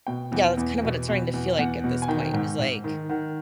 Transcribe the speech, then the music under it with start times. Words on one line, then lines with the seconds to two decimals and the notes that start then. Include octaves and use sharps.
Yeah, that's kind of what it's starting to feel like at this point is, like
0.07 B2 G5
0.32 E2
0.57 E2
0.83 B2
1.08 B2
1.34 E2
1.58 E2 F#5
1.84 B2
2.02 G#5
2.08 D#3 G5
2.34 G#2
2.59 G#2
2.84 D#3
3.09 D#3 F#5